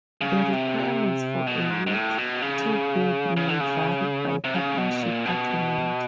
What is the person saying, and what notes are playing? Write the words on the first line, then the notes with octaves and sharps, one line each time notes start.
The requirements for a weak two bid may vary by partnership agreement.
C#3
C3
B2
G#2
G#2
A2
B2
C#3
C#3
D3
C#3
C3
C#3
B2
A#2
B2